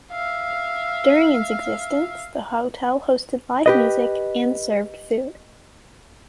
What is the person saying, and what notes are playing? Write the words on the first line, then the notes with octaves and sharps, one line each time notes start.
During its existence, the hotel hosted live music and served food.
E5 F5
G4 B4 D#5